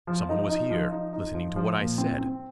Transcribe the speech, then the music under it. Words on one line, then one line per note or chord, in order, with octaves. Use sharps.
Some one was here--listening to what I said!
F3
D#4
D#4
F3
D#4
D#4
F3
F3
A#2
C4
C4